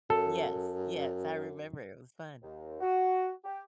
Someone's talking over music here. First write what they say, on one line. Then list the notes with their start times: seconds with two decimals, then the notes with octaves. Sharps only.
Yes, yes, I remember it was fun.
0.10 F#2 A4
2.43 D#2
2.81 F#4
3.44 G4